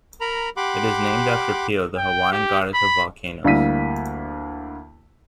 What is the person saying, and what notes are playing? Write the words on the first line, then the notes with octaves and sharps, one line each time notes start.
It is named after Pele, the Hawaiian goddess of volcanoes.
A#4 A#5 B5
G4 F#5 B5 C6 D6
G5
G4
B5
D2 G3 A#3 E4 B6 D#7